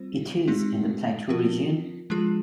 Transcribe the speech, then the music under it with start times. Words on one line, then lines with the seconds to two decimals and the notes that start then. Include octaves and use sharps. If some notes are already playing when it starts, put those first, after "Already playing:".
It is in the plateau region.
Already playing: G3 C4 F4 C5
0.48 G#3 C4 D#4 G4
1.29 F3 C4 F4 A#4
2.10 F3 G#3 D4 F4 G#4